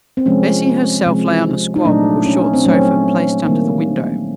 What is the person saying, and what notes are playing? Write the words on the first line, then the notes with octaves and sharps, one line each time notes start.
Bessy herself lay on a squab, or short sofa, placed under the window.
C4
C3 F3 G#3 C#4
C3 F3 G#3
D#4
A#2 F#3 A3 D4
C#4
C4
A#2 F#3 A3 C#4
D#3 G3 A#3